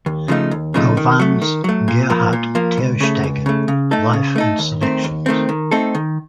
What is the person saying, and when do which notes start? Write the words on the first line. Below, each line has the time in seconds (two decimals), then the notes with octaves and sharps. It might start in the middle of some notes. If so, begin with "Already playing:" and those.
Govan's, "Gerhard Tersteegen: Life and Selections".
0.06 D#2
0.28 C#3 F3 A3 D#4
0.51 D#2
0.74 C#3 F3 A3 D#4
0.97 D#3
1.19 F#3 A3
1.42 D#3
1.64 F#3 A3
1.88 A#2
2.10 F3 A#3
2.33 A#2
2.55 F3 A#3
2.78 C#2
3.01 C#3 A3
3.24 C#2
3.46 C#3 A3
3.68 C#3
3.91 A3 D#4 A4
4.13 C#3
4.36 A3 D#4 A4
4.59 D#2
4.81 D#3 A3 C4
5.04 D#2
5.26 D#3 A3 C4
5.49 D#3
5.71 A3 C4 D#4 A4
5.95 D#3